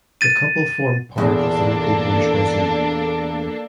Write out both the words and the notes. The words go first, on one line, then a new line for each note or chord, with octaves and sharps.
The couple formed part of the local bourgeoisie.
A6 D#7
E2 A#2 A#3 D4 A4